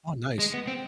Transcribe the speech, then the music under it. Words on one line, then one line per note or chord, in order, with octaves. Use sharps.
Oh, nice.
G#3
B3
C4